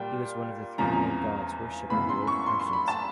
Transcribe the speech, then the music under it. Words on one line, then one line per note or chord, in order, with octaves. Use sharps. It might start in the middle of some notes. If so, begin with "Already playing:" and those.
He was one of the three main gods worshiped by the Old Prussians.
Already playing: A#2 G3 A#3 G5
E2 C#3 F3 G#3 C4 A#5
F#2 C#3 E3 G#3 B3 B5
C6
C#6
C6
C6
B5
A5